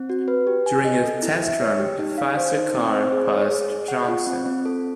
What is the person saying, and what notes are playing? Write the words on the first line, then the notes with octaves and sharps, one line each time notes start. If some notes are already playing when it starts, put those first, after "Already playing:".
During a test run a faster car passed Johnson.
Already playing: C4
F#4
B4
G4
G#5
D#5
A4
E4
E5
C#5
G4
D#4
F5
C5
D#4
C4
C5
G#4
C#5
G#4
G#4
F#5
F4
C4
C4
A4